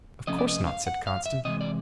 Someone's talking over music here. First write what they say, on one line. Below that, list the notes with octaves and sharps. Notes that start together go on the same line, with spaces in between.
"Of course not," said Constance.
C3 F3 A3 C#4 D#5
D5
D#5
F5
F#5
F5
E5
C3 E3 G#3 D#5
D5